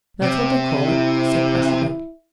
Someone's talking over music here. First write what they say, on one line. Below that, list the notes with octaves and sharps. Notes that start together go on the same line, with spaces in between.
"That's what they call it," he said, placidly.
C3
E4